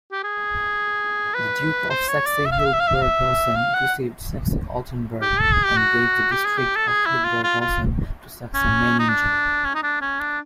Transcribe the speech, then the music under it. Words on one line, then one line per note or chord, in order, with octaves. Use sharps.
The Duke of Saxe-Hildburghausen received Saxe-Altenburg, and gave the district of Hildburghausen to Saxe-Meiningen.
G4
G#4
B4
C5
C#5
D5
E5
F5
E5
F5
E5
F5
E5
F5
E5
F5
F#5
G4
A4
G#4
G4
F#4
G4
G#4
G4
A4
G#4
E4
F4
F4
F4
C#4
D#4
D4
C#4
D#4
D4
C#4
D4